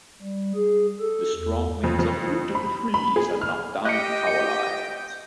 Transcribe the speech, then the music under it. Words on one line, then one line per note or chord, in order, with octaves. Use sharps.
The strong winds uprooted trees and knocked down powerlines.
G3
G#4
A4
E2
F2
F2
B5
B5
G#4
F6
G4 D#5 G5 F#6 C#7
C#7